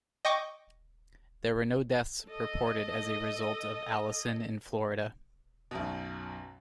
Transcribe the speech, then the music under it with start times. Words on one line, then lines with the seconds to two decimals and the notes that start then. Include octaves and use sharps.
There were no deaths reported as a result of Allison in Florida.
0.25 D#5 G5 C#6 D6
2.26 A4 D#5
5.71 B1 F#2 B2